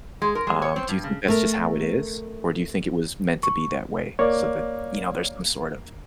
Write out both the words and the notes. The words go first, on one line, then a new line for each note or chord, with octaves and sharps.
Um, do you think that's just how it is? Or do you think it was meant to be that way, so that, you know, there's some sort of
G#3
A#4
G#3
C#5
C4
G2
C#3
A3 A#4
C#6
A#3 C#5 D5